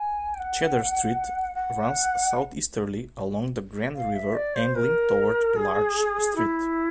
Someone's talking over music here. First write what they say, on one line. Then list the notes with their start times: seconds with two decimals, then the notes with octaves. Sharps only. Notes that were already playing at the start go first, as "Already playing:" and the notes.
Cedar Street runs southeasterly along the Grand River angling toward Larch Street.
Already playing: G#5
0.34 G5
0.39 F#5
1.55 F#5
3.95 F5
4.15 E5
4.35 D5
4.55 C5
4.76 A#4
5.56 G#4
6.36 E4